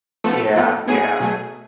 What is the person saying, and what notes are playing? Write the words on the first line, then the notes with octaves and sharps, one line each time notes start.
Yeah, yeah.
F3 A3 B3 A4
F3 B3
A2 F#3 B3 G#4 G#5
B2 F#3 A3